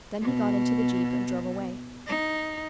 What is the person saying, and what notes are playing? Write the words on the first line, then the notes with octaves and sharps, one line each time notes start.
Then he got into the jeep and drove away.
B2
D#4